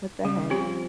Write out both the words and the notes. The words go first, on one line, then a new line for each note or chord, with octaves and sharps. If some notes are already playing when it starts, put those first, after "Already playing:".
What the heck?
C#3 G3
F3 C4 G4